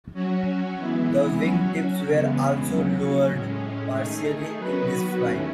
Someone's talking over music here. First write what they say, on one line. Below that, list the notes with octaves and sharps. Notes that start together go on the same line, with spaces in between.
The wing tips were also lowered partially in this flight.
F#3 C#4 F#4
E3 G#3 B3 E4
F#3 C#4 F#4
E2 C#3 G#3 B3
D#2 C#3 F#3 C#4
A2 G#3 C#4
D#3 A3 D#4 G#4
D#3 F#3 B3 F#4 B4
D#2 D#3 A3 C#4 E4